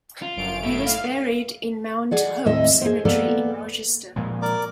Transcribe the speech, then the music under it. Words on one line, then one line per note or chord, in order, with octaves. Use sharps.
He was buried in Mount Hope Cemetery in Rochester.
F4
G1 F#2 D7
A3 E4
F5
G#4 D5 F#5
D#2 A2 C4 D#5 E5
G#4 C5
A#3 B3 A4 D5
A#2 F3 G#3
A#4 D5 D6